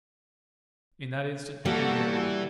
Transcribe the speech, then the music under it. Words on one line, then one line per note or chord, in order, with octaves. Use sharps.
In that instant he knew.
E3 G3 A#3 F#4 A4